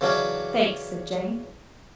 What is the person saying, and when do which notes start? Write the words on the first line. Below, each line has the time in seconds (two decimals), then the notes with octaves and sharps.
"Thanks," said Jane.
0.01 C#3 E3 F#3 C#4 D4